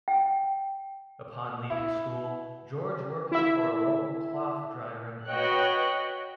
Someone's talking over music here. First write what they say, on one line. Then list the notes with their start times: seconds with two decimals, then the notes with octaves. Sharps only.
Upon leaving school, George working for a local cloth dyer and bleacher.
0.08 G5
1.70 E4
3.32 E4 E5
5.27 F#4 B4 C#5 D#5 G5 F#6